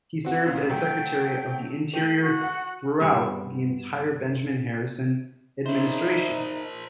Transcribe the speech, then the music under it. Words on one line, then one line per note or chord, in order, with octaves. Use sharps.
He served as Secretary of the Interior throughout the entire Benjamin Harrison administration.
C4 F#4
C#2 A#2 C#3
F#3 A3 G5
A3 G5 D#7 F#7
F#4
F#5 F#6
G2 B3 C4 C#5
D#4 A#4 C5 E5